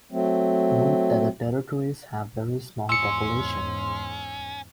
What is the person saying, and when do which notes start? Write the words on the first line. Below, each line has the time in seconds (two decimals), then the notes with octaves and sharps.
Note that the territories have very small population.
0.12 F#3 A3 C4
2.89 E2 G#2 C#4 C6 E6 C#7